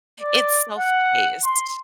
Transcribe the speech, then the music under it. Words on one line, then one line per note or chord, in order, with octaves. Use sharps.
It's self-paced.
D5
F#5
C6